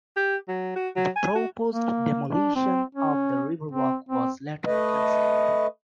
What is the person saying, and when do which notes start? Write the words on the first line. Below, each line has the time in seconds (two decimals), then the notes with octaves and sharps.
The proposed demolition of the Riverwalk was later cancelled.
0.16 G4
0.48 F#3
0.76 F#4
0.96 F#3
1.16 G#5
1.35 F#4
1.72 A#3
2.31 D4
2.56 C4
2.95 C#4
3.72 C4
4.09 C4
4.65 A3 B4 D#5